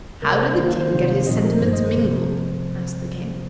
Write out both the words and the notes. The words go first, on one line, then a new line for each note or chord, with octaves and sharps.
"How did the King get his sentiments mingled?" asked the King.
C3 G3 A#3 A#4
C5
C5
D#3 A#3 F4 C5
F5
C5
C3 D#3 C4 D#4 C5
A#2 F3 C4 D#4 D#5
A#4
G2 D#3 A#3 C5
D#5
C5
C3 F3 C4